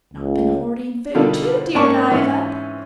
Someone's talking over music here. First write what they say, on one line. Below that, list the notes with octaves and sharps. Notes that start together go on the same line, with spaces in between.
Not been hoarding food, too, dear Diva?
C#2
B2 D3 D#3 G3 F4 A4
G#2 A#3 C#4 D5 A5 C#6
G#2 E3 C4 C#4